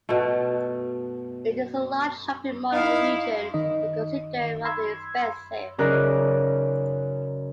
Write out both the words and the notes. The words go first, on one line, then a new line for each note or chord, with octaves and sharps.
It is a large shopping mall in the region, but considered rather expensive.
B2 A3
D#4 E4 F5
D#3 D#4 D#5
B5 C6 E6 G#6
F#2 C#3 D#4 A#4 D5 F#6